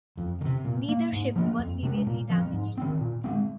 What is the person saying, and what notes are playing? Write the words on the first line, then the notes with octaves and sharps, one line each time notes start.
Neither ship was severely damaged.
F2
D#3
C3
A#2
A#3
G#2
F3 A#3
F2
C3 G#3
A#2
F3 C4
G#2
D#3 C4
A#2
G#3 C4